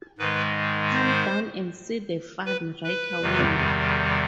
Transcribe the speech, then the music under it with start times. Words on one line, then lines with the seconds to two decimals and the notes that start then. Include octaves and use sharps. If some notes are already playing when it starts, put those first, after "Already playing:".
Come down and see the fun right away!
0.18 G#2 D#3 G#3 B4
0.94 C5
2.45 B4
2.84 B4
3.21 E2 C3 D#3 G3